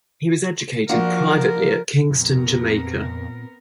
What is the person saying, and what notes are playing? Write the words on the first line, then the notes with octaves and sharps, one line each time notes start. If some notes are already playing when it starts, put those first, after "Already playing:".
He was educated privately at Kingston, Jamaica.
F3 A#3 D4 F4 F#4 A#4
F2 A#2 B3 C4 A#4